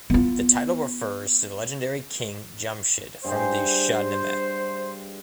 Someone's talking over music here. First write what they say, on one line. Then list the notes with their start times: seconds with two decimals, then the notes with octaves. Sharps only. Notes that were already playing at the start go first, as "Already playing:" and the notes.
The title refers to the legendary king Jamshid from the Shahnameh.
0.10 B3 F4
3.25 G2 G#4 C5